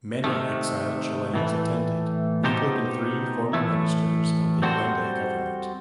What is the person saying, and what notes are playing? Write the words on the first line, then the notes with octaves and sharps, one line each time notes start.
Many exiled Chileans attended, including three former ministers of the Allende government.
C3 D#3 A3
A2 E3 A3
B2 A3 D#4 G4 C5
A2 E3 A3 E4
G3 C4 F#4 A4 C5